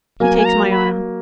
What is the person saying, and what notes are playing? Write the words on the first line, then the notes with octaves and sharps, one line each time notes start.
He takes my arm.
F#3 A#3 G#5
G#5
A#5
B5